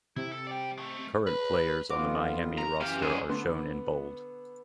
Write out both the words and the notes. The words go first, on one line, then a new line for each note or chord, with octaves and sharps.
Current players on the Miami roster are shown in bold.
C3 E4
A4
D5 G5
G#3 A3
B4
F2 B3 F4 F#4 F5 D6
A#4 A#5
F#2 C3 E3 G4 F5
F#3 C4 G#4
D3 B3 B4 C6